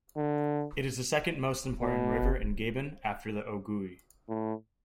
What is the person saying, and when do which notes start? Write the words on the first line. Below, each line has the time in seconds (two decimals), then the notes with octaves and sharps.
It is the second most important river in Gabon after the Ogooue.
0.17 D3
1.81 B2
4.29 A2